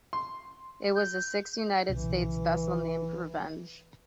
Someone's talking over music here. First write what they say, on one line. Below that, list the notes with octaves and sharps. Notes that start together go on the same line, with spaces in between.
It was the sixth United States vessel named "Revenge".
C6
G6
B1 A#2 C#3 E3